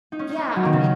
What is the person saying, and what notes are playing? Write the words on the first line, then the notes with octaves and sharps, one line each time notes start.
Yeah, I mean
D#4
C#4
D#4
C#4
F#3
D#3
C#3